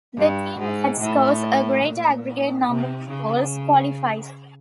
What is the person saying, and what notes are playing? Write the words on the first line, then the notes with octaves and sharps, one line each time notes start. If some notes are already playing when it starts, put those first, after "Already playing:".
The team that scores a greater aggregate number of goals qualifies.
G2
G#2
A2
A#2
C3
C#3